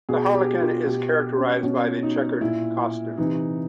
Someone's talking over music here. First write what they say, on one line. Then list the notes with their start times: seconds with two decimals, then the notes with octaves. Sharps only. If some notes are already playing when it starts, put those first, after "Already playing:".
The Harlequin is characterized by his chequered costume.
0.09 B2 G#4
0.34 G4
0.60 F4
0.87 B2 G4
1.11 G4
1.37 C#4
1.63 B2 C#4
2.03 D#4
2.41 A#2 E4
3.18 C3 E3 D#4